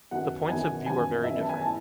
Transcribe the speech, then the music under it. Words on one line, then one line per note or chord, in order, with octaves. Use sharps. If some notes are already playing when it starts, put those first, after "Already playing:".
The points of view are very different.
F#2 D#3 F#3 B3 F#5
F#2 D#3 F#3 B3 G#5
F#2 D#3 F#3 B3 G#5
F#2 D#3 F#3 B3 E5
A5
G#5
A2 A5